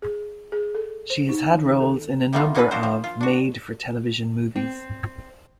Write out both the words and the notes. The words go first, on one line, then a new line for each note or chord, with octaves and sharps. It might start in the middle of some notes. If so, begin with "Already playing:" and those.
She has had roles in a number of made-for-television movies.
G#4
G#4
A4
C5
D#4
D#3
A4
C3 G3 A3 B3 D#4 F4
A#3 B3 C#4 D#4 F4 B4
D4 F4 F#4 C5
F3
F4
D4 F#4
C4